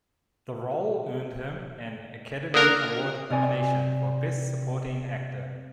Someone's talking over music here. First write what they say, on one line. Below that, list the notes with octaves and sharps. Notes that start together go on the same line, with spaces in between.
The role earned him an Academy Award nomination for Best Supporting Actor.
D3 A#3 A#4 D#6 F#6
C3 D5 G#5